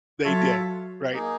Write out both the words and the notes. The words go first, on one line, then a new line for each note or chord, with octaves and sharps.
they did, right?
F#3 F4 A4 C#5 E5
A#3 D#4 G#4